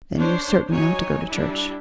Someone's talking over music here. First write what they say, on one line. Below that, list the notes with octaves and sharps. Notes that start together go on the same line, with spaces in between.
"Then you certainly ought to go to church."
D4 C5 C#5
F#3 D#4 C#5 G#5
G3 D4 E4